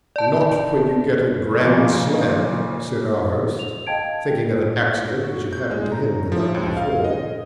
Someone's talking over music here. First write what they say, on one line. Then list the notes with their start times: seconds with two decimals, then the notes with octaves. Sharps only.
"Not when you get a grand slam," said our host, thinking of an accident which had happened to him the night before.
0.16 D5 A5
1.61 A#2 C#3 F3 A#3
3.59 F7
3.87 D#5 F5 G5 A5 G#6 D7
5.24 F#4
5.53 G6
5.70 G#3
5.92 A#5
6.32 F3
6.55 C#2
6.77 F5
7.04 D#5